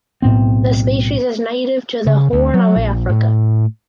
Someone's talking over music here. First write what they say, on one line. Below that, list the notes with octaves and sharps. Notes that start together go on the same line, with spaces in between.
The species is native to the Horn of Africa.
B1 A2 B3 C4
C#3
D2
F#3
A#1
A2